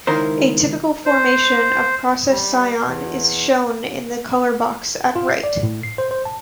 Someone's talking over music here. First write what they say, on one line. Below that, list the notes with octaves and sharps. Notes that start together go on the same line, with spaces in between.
A typical formulation of "process cyan" is shown in the color box at right.
C#2 D#3 E4 A#4 C5
C5
G3
E2
F4
C7
D5
A2
C7
C5
C5
A5